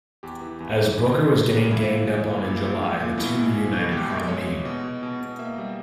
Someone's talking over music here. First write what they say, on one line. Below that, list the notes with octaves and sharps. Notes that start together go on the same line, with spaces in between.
As Booker was getting ganged up on in July, the two reunited Harlem Heat.
E2 G4
E3
E2
E3
E2
C#3
E3
E3
A#2 E4
A#2
G#3
A#2
A#2
A#2
G#3
A#2
B2 E4
G#3
G#3
B2
G#3 G4
G#3
G#3 C#5
G#3
B2 D#5
B2
B2
B2
A#3 E5
G3